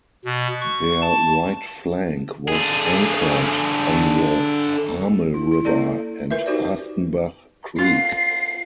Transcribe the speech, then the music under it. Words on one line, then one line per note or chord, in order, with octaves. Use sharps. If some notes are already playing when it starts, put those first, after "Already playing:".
Their right flank was anchored on the Hamel river and Hastenbach creek.
B2
C#6
A5
D3 G#4
E4
E4
A#3 C#4 E4 A4 D5
F4 A#4 B4 E5
D#4 F#4 G4 C5 D5
F4 F#5 C7